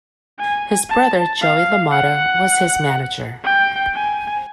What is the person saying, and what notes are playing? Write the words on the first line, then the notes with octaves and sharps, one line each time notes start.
His brother Joey LaMotta was his manager.
G#5
A5
F5
F#5
G5
G#5